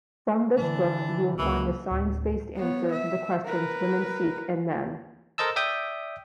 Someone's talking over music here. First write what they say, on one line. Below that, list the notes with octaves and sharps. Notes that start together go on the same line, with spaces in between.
From this book, you will find a science-based answer to the questions women seek in men.
D3 E3 D4
C#2 E3 A#3
D1
B3 C#5
E5
A#4 B4
A4 A#4 C5 D#5 A5 E6
D5 E5 G5 D#6 G6